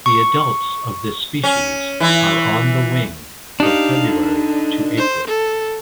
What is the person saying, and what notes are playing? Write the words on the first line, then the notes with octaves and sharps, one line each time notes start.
The adults of this species are on the wing from February to April.
C#6
C#4
E3 E4
D4 D#4 G4 F5
D3
C5
A4